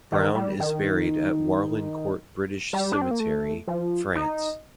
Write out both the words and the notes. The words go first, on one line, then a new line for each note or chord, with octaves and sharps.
Brown is buried at Warlencourt British Cemetery, France.
D#3
G3
D#3
G3
D4
C4
A#3
A3
F3
D#4